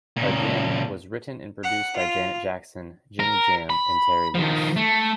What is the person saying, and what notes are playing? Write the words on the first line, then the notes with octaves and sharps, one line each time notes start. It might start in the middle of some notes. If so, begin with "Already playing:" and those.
"Again" was written and produced by Janet Jackson, Jimmy Jam and Terry Lewis.
A#2 C#3
F#5
F4
A#4
B5
D#3 F3
A3